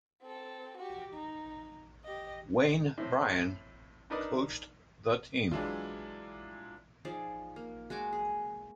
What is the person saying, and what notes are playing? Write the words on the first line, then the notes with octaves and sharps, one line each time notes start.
Wayne Bryan coached the team.
C4 A4
F#4 G4
D#4
G4 D#5
A2 C4
D4 D#4 A#4 B4 D5 D#5
E3 F#3 G#3 D4 E4 F4
F3 D#4 G#4 D5
A#3
G#3 F#4 G#5 D6
G#4